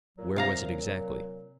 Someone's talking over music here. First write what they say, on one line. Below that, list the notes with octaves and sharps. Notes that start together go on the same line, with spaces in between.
"Where was it, exactly?"
A#2 F#3
C3 F5 A#5